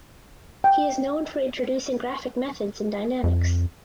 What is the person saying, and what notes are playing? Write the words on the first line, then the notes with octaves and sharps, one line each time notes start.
He is known for introducing graphic methods in dynamics.
G5
F2